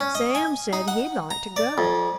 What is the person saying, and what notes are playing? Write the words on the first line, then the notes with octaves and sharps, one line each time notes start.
Sam said he'd like to go.
C#4
D#5
G#5
D#4
F#5
A#5
D5
F2